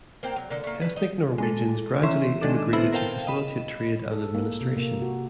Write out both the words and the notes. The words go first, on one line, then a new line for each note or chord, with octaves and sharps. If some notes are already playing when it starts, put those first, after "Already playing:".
Ethnic Norwegians gradually immigrated to facilitate trade and administration.
A#3 C4 G4 G5
F#3
D3 A#3
A3 A#3
B4
D#4
G#3 A4
E3 C#4 E5 C6 E7
D#3 G#3 D4 A4 D6 E7
B3 C4 E4 A4 C5 E5
A#4 C5 F5 G5 A5
D#5 B5 E7
A4
A#3
C3
A#3
F#4